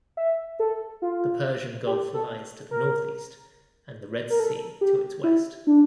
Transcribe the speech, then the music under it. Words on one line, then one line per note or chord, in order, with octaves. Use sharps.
The Persian Gulf lies to the northeast and the Red Sea to its west.
E5
A4
F4
G4
A4
A#4
A#4
A4
G4
E4
D4